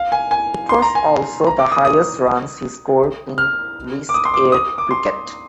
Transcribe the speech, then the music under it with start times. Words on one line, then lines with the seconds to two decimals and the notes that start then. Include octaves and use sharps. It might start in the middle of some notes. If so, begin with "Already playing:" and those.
It was also the highest runs he scored in List A cricket.
Already playing: F5
0.12 G#5
0.31 G#5
0.69 C6
0.82 A#5
0.95 G#5
1.47 A#5
1.59 D6
1.72 D#6
1.85 D#6
3.38 F6
4.09 D6
4.14 D#6
4.25 C6
4.34 D6
4.52 D#6
4.78 D6
4.91 C6